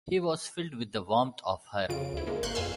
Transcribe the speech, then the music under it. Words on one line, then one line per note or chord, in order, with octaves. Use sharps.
He was filled with the warmth of her.
F2 C#3 F4 D7
D2 E4
G#3 A#3
G#1 A#3 C6 C#6 F#6 G6
F2 B2 F5 G#5 C6 E6